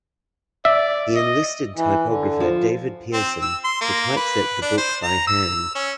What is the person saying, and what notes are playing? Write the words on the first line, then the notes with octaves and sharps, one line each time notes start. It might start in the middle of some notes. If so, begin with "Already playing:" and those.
He enlisted typographer David Pearson to typeset the book by hand.
D5 E5
D#5
E3
D3
F3
C4
E6
C6
A#3
B4
D4
C5
A#5
E6
C#4